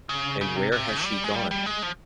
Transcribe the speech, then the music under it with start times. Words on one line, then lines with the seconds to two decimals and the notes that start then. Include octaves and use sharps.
And where has she gone?
0.09 C#3
0.41 C#3
0.56 C3
0.72 C3
0.88 C#3
1.04 G3
1.24 G#3
1.35 G3
1.51 G3
1.66 G#3
1.83 F3